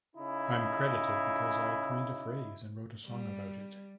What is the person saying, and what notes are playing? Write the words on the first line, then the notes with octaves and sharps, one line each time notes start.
I'm credited because I coined a phrase and wrote a song about it.
C#3 D#4 E4
G3